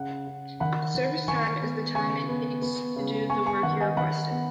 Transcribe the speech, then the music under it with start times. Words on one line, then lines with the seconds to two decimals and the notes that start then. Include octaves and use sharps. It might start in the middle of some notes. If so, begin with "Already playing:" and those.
The service time is the time it takes to do the work you requested.
Already playing: C#3 F#5
0.27 C#3
0.60 D#3 F#5 B5
0.95 D#3
1.28 D#3 G#5 C#6
1.62 B3
1.95 C#3 G#5 C#6
2.29 B3
2.62 B3
2.96 C#3
3.30 B3 G#5 C#6
3.46 G#5 C#6
3.63 D#3 F#5
3.80 D#5 G#5
3.97 D#3 F#5 B5
4.31 B3